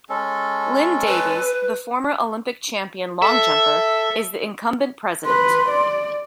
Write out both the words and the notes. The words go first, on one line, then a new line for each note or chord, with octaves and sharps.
Lynn Davies, the former Olympic champion long jumper, is the incumbent president.
G#3 C#4 A4
B4
A4 E5
B4 C6
D5